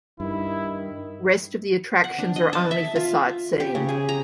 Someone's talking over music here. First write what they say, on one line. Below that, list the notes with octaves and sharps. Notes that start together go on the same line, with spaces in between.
Rest of the attractions are only for sightseeing.
G2 D#3 E4
F#5
D4
D#5
A5
E5
F4
G4
C#3
G#4
A#5